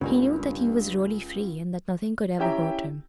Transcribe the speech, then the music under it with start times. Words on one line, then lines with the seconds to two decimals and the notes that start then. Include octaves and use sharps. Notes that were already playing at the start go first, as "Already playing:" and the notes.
He knew that he was really free, and that nothing could ever hurt him.
0.01 C#2 G2 C#3 G3 A#3
2.39 C#4 E4 G4 E5 G5 A#5